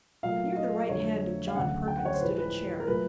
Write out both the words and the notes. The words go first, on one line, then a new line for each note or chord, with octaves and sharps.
Near the right hand of John Perkins stood a chair.
A#2 F#3 A3 F5
D#5
F2 D3 F#3 A3 C#5
F5
D2 C#3 F#3 A3 F#5
G5
F#5
C#5
C5
A2 F3 G#3 B4
B4
A#4
A#2 F#3 A3 B4